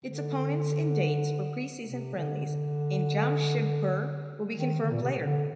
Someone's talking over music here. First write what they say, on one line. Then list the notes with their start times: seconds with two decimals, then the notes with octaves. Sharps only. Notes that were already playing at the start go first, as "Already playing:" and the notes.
Its opponents and dates for preseason friendlies in Jamshedpur will be confirmed later.
0.04 D3
1.84 C3
2.16 D3
2.46 D3
4.57 D#3
4.80 D3
4.91 A#2
5.02 C3
5.19 C3
5.25 D3